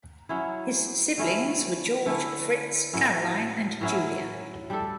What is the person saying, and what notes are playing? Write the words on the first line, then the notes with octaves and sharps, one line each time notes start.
His siblings were George, Fritz, Caroline and Julia.
F#3 C#4 E4
D3 A3 C#4 E4
D3 A3 C#4 E4
A2 F#3 C#4 E4
A2 F#3 C#4 E4
G3 D4 A4